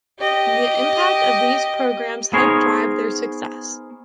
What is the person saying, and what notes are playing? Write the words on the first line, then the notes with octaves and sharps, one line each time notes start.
The impact of these programs help drive their success.
G4 D#5
B3 D#4 G#4 A#4 C5 C#5